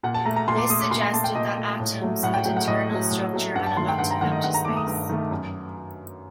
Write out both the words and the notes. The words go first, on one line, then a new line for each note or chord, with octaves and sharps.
This suggested that atoms had internal structure and a lot of empty space.
A#2 F#5
A5
A3 A#5
A#5
A#2 C6
D6
A3 D#6
D6
A#2 C6
C6
A3 A5
G5
A#2 D#5
A3
A2
F#3 A3
A2 F#5
G5
F#3 A3 G5
F#5
A2 D#5
F#3 A3
A2
F#3 A3
G2 F#5
A5
D#3 A3 C6
G5
G2 F#5
A#5
D#3 A3 F#5
D#5
G2 F#5
A#5
D#3 A3 D6
D#6
G2
D#3 A3
F#2